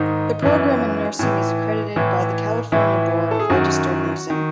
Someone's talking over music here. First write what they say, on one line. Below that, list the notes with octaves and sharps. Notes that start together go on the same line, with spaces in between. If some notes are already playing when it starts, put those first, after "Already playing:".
The program in nursing is accredited by the California Board of Registered Nursing.
Already playing: G#2 D#3 D#4
F#2 E3
A2 E3
A2 E3
A2 E3 E4
A4
G#4
F#2 D#3 F#4
D#3